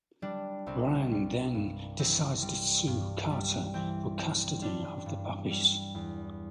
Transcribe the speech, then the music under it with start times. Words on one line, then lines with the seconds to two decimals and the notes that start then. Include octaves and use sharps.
Brian then decides to sue Carter for custody of the puppies.
0.22 G3 D4
0.66 C2 C4
1.11 G3
1.54 G2
1.99 E3 C4
2.42 G3
2.87 G2
3.31 G3
3.74 E3 C4
4.18 G3 C4
4.62 G3 D4
5.06 G2
5.50 G3
5.95 E2